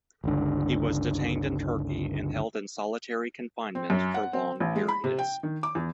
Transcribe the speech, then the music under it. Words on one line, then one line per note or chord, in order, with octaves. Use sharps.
He was detained in Turkey and held in solitary confinement for long periods.
G1 C#2 D3
C4
F#2
F#5
C4
A1
G#3
B5
C3
G5
D#3
D6
E2